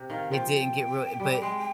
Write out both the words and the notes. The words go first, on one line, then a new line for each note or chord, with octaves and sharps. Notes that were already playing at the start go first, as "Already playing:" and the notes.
It didn't get real but
Already playing: C3
D#3 F5
F3 G5
G3
G#3